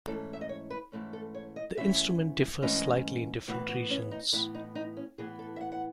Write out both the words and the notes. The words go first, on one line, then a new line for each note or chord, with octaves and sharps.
The instrument differs slightly in different regions.
G#2 E3 A3 C#4 A4
E5
D#5
C#5
B4
G#2 E3 A3 C#4
A4
C#5
D#5
G#2 E3 A3 C#4 E5
G#2 E3 A3 C#4 D#5
A2 E3 B3 F#4
F#4
C#4
D#4
A2 E3 B3 E4
D#4
D#4
C#4
A2 E3 B3 G#4
A4
E5
F#5
F#5